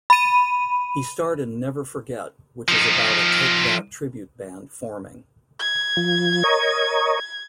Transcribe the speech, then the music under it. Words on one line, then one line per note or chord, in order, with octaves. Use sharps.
He starred in "Never Forget" which is about a Take That tribute band forming.
B5 D#7
F3 D#4
G#6
F3
A#4 C#5 D#5